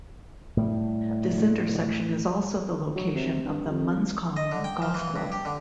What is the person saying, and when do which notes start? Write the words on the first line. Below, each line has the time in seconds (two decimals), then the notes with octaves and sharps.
This intersection is also the location of the Munscong Golf Club.
0.57 A2 G3
2.95 F#3
3.15 C3
3.45 G2
3.69 F2
3.96 D#2
4.37 D#5
4.52 D3
4.64 G5
4.82 F3
4.94 E3
5.16 G2
5.32 G4
5.45 D3